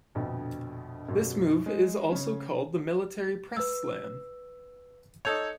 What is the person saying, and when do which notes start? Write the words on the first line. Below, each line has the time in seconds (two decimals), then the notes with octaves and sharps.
This move is also called the military press slam.
0.15 A#1 F2 B2 D3
1.08 F#2 B2
1.66 G#3
2.12 C#3 C#4
3.57 B4 E6
5.25 D#4 A4 C#5 G6 F7